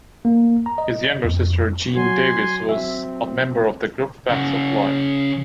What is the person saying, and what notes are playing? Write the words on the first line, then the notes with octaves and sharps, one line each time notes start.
His younger sister, Jean Davis, was a member of the group, Facts of Life.
A#3
A#5
D#5
F2
F#3 F#4 G#5 C6
C4 E5
C#3 F#5